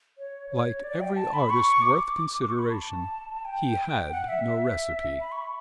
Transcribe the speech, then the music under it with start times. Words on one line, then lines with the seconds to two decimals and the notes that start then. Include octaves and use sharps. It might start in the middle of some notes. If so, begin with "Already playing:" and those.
Like every artist worth consideration, he had no recipe.
0.18 C#5
0.51 C#5
0.84 D5
1.00 G5
1.16 A5
1.33 B5
1.50 C#6
1.82 D6
2.48 C#6
2.59 B5
2.69 A5
3.45 G5
4.12 F#5
4.28 E5
4.44 E5
5.10 E5
5.21 B5
5.32 C#6
5.42 B5